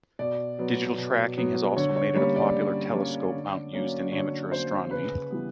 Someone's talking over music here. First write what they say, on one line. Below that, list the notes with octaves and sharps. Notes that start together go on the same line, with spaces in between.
Digital tracking has also made it a popular telescope mount used in amateur astronomy.
B2 D5
F#3 B3
B2
F#3 B3
D3 C#5
C#5
G3 A#3 C#4 C#5
D5
D3
G3 A#3 C#4
D3
F#3 A#3 C#4
D3 C#5
F#3 A#3 C#4 C5
C#3 B4
E3 G3 B3